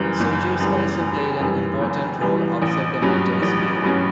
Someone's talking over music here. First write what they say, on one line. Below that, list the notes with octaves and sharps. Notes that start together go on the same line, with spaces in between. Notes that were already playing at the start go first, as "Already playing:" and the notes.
Soldiers also played an important role outside the military sphere.
Already playing: F#1 F#2 E3 G3
F#1
F#2 E3 G3
F#1
F#2 E3 G3
F#1
F#2 E3 G3
A1
G2 F#3 C#4
A1
G2 F#3 C#4